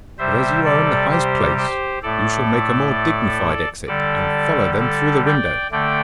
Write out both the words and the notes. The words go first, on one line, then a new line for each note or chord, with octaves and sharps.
But as you are in the highest place you shall make a more dignified exit, and follow them through the window!'
C3 G3 C5 E5
A4 D5
G4 C5
G4 C5
A2 A3 A4 D5
D3 G3 A4 D5
A4 D5
D5 G5
D3 A3 D5 G5